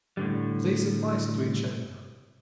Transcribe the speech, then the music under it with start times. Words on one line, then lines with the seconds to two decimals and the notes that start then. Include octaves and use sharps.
They sufficed to each other.
0.17 A2 D3 G3